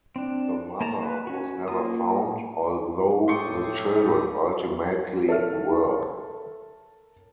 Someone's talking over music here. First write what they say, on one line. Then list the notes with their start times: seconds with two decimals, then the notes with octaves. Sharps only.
The mother was never found, although the children ultimately were.
0.16 C4 D4
0.81 A#3 A5 A#5
1.03 B4
1.27 C#4 F#4
1.68 A#3 F4 D#6
3.28 A2 G4 A4 C6 C#6 D#6
5.29 A4 A#4 C#5 E5 F6